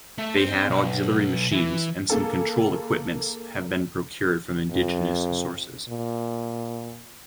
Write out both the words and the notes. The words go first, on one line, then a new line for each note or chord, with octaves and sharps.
They had Auxiliary machines and some control equipments have been procured from indigenous sources.
A3 E5
C4
B1
E3
A#3 G#4 A4
F2
A#2